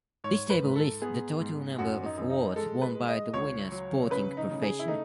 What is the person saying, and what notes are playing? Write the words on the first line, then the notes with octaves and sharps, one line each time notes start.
This table lists the total number of awards won by the winners sporting profession.
G#2 C#5
B4
G#2
A4
B3 G#4
G#2
F#2 F#4
D#4
F#2
D#4
G#3 A4
B4
G#3
D#5
C#2 C#5
F#3
C#3 B4
D#4
C#3
G#4
E4
A3 D#4